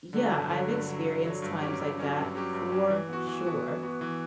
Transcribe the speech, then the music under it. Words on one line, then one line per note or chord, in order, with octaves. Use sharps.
yeah, I've experienced times like that for sure.
D3 F#3
G2
D3 F#3
G2
D3 F#3
G2
D3 F#3
G2
F#3 C#4 G4
G2
F#3 C#4 G4
G2
F#3 C#4 G4
G2
F#3 C#4 G4
E3
B3 F#4
E3
B3 F#4
E3
B3 F#4
E3